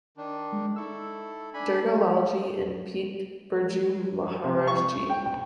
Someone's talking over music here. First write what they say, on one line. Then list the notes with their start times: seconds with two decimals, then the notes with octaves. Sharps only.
Durga Lal Ji and Pt Birju Maharaj Ji.
0.17 D#3 D4
0.52 G#3
0.76 D#4 E4 A4 C#6 E6
1.54 D4 G#5 B5
4.44 C3
4.67 C#6
5.10 G5